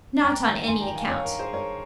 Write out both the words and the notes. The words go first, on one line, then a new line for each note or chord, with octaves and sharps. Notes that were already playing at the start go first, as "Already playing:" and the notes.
Not on any account.'
G2 G5 A#5
D#3
G2 G#5 C6
G5 A#5
D#3
F5 G#5
G2 C#5 F5
A#4
D#3
G#4 C5
G2 A#4 C#5